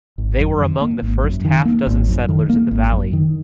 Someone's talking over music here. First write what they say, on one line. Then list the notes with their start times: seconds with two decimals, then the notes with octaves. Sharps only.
They were among the first half dozen settlers in the valley.
0.18 G#1
0.40 F#2
0.61 D#3
0.81 A#3
1.02 G#1
1.23 F#2
1.45 D#3
1.65 A#3
1.87 G#1
2.08 F#2
2.29 D#3
2.49 A#3
2.71 G#1
2.92 F#2
3.13 D#3